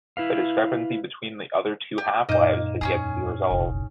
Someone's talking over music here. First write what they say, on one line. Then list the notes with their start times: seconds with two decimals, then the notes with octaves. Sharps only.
The discrepancy between the other two half-lives has yet to be resolved.
0.17 E4 B4 F5
1.98 G4
2.29 F#2 A#2 A#3 D#4 D#5 G6
2.81 E2 G3 C#4 G4 G#4
3.50 F1 C2